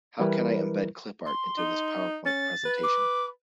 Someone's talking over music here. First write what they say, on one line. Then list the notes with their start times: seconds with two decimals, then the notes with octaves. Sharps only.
How can I embed clip art into this powerpoint presentation?
0.20 E3 G3 E4 A#4 B4
1.26 C6
1.58 D#4
2.25 C#4 A6
2.65 B4
2.83 D6